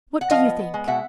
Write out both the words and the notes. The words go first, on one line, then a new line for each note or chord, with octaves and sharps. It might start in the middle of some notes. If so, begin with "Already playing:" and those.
What do you think?
F#5
F3 D#5 F5
B3
B3
G#3
B2 E5 F#5